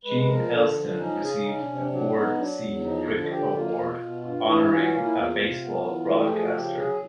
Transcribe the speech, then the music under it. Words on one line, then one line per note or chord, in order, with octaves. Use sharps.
Gene Elston received the Ford C. Frick Award honoring a baseball broadcaster.
G#3 B4
B4
F3 A#4
D3 A4
F3
C#4 D#4
C#3 G#4
C#4 D#4
D4
C3 D4
D4
F#3 D4
B3 D#4
F#3 D4
E2
F3 D#4
D3
D3 G4
A#3 F4
B2
B2
G2 F4
E3 E4
C#4 F4
F#4
A#3 F4
E4
E2 F4
C3
B3
E3
A3 F#4
G4
F3 G#4
F#4
C#3 G4
F#3 G#4